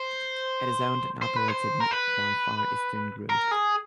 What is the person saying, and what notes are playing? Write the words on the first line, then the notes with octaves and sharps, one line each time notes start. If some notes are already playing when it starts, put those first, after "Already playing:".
It is owned and operated by Far Eastern Group.
Already playing: C5
C5
B4
C5
A#4
B4
A#4
G#4